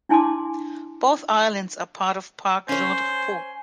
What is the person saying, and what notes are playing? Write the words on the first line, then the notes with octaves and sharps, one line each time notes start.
Both islands are part of Parc Jean-Drapeau.
D4 E4 G#5 A5 C6 D6
C#4 C5 C#5 G#5